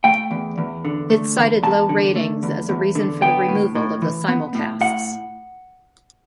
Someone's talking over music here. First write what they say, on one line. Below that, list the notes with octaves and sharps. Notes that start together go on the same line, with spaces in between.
It cited low ratings as a reason for the removal of the simulcasts.
A3 G5
E2
E2
D3
A3
E2
E2 A5
D3
A3
E2
E2
D3
B3 G5
A2
A2
E3
B3
A2
A2 F#5